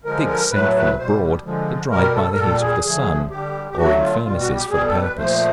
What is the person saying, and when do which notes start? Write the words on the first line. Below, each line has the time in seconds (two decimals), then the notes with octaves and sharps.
The figs sent from abroad are dried by the heat of the sun, or in furnaces for the purpose.
0.04 D3 F3 G#3 A#4
0.27 A#4
0.51 A2 F#3 A3 B4
0.74 B4
0.98 B2 G3 C5
1.44 D3 F3 G#3
1.90 B2 G3 A#4
2.14 A4
2.33 A#4
2.37 A#2 G3 A4
2.60 G#4
2.84 D3 F3 A3 G#4
3.30 D3 G3 G4
3.71 G4
3.77 D3 F#3 A3 F#4
4.00 F4
4.23 B2 G3 F4
4.39 F#4
4.55 G4
4.71 B2 G3 G#4
4.86 A4
5.02 B4
5.17 A#2 F3 A3 C5